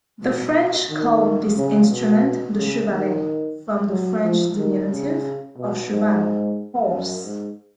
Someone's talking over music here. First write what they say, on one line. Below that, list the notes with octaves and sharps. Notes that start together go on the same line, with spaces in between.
The French called this instrument the Chevalet, from the French diminutive of "cheval", horse.
B2
D#3
C#3
B2
C#3
D#3
F#3
F3
D#3
C#3
B2
G#2
F#2
G#2